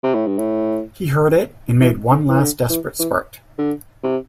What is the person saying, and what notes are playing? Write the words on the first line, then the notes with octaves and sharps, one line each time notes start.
He heard it and made one last desperate spurt.
C3
A2
G2
A2
E3
D3
E3
D3
E3
E3
D3
C3